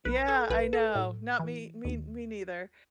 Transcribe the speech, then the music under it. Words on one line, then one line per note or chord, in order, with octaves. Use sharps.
Yeah, I know, not me me me neither,
B1 B4
A4
B1 B4
A4
A2
E3
D#2